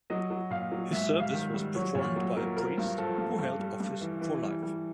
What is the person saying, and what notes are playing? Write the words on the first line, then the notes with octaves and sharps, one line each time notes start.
His service was performed by a priest who held office for life.
F#3 D#5
F#3
A#2 F5
F#3
G#2 E5
G3
F5
D#3
G3
F#3 C#5
A#2 C#5
F#3
F#3 A#4
F3 A#4
G2
F3 A4
G2
G2
G3
G2
E3
E3
G3
G3